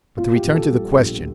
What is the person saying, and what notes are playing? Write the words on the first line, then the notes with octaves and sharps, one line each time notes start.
But to return to the question.
A2 F4
G4
A#1
A4
G3
A#1